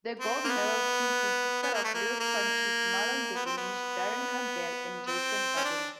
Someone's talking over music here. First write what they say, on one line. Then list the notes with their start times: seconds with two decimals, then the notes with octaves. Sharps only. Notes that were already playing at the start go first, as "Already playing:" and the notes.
The gold medal team consisted of Lewis-Francis, Marlon Devonish, Darren Campbell and Jason Gardener.
0.20 C4
0.44 A#3
0.49 B3
1.63 B3
1.74 A#3
1.84 A3
1.94 A#3
2.20 A#3
3.35 B3
3.46 C4
3.57 B3
5.07 C4
5.56 C#4
5.65 D4